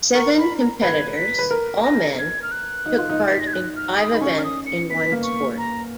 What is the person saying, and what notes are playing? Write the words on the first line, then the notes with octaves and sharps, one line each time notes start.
Seven competitors, all men, took part in five events in one sport.
A#4 C#6
B5
A#5
B4 G#6
B6
B4
A#4
A#6
G#6
F6
F#6
D#4
F4
D#4
B6
A#6
G#6
F#6
F6
D#6
D#4 B5
C#4 C#6
F6
D#6
C#7
B3 B6
B3
A#3
C#6
A#5